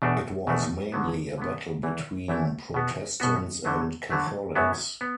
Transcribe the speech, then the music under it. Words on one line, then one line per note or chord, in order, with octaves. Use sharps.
It was mainly a battle between Protestants and Catholics.
E2 B2 A3 D4 F#4
E2 B2 A3 D4 F#4
D3 F#3 B3
D3 F#3 B3
E2 E3 A3 E4
E2 E3 A3 E4
B2 B3 F#4
B2 B3 F#4
D3 F#3 A3
D3 F#3 A3
F#2 F#3 B3
B3